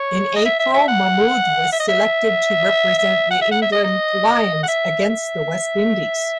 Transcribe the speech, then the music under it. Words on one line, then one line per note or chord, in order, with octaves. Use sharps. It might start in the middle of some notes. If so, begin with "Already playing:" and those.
In April, Mahmood was selected to represent the England Lions against the West Indies.
Already playing: C#5
D#5
E5
E5
E5
F#5
E5
D#5
E5
E5
F#5
E5
F#5
E5
D#5
D#5
F#5
E5
E5